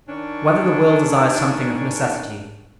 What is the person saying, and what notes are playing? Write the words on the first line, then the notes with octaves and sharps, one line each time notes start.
Whether the Will Desires Something of Necessity?
D#3 C#4 D4